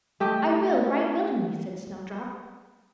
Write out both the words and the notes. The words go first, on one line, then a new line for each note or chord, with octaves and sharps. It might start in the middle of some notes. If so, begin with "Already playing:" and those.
"I will, right willingly," said Snowdrop.
A3 G4 D#5